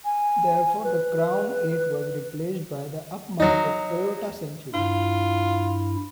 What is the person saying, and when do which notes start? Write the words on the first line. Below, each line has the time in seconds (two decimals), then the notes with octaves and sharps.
Thereafter the Crown Eight was replaced by the upmarket Toyota Century.
0.05 G#5
0.84 B4
3.40 F#3 D#4
4.74 G2 E4 F4